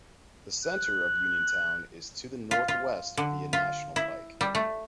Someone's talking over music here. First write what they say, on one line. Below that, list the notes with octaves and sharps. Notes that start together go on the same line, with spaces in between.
The center of Uniontown is to the northwest via National Pike.
F#6
F4
F4
D3
F4
E4
G3
A3